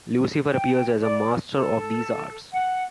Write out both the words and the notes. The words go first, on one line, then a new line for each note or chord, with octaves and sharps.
Lucifer appears as a master of these arts.
G5
D5
A4
F#5